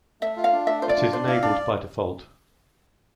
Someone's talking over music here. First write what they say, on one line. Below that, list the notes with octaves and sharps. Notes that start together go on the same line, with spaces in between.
It is enabled by default.
A3 E5
F4
F5
D4
A3 E5
F4 C5
D5
D4
C5 D5
E4 F5
D4 D5